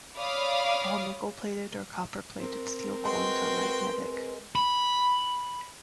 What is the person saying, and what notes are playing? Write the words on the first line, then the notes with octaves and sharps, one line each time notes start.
All nickel-plated or copper-plated steel coins are magnetic.
C#5 D5 F5 B5 D6 D#6
C4 A#4
G#3 F#4 B4 G5 C6
B5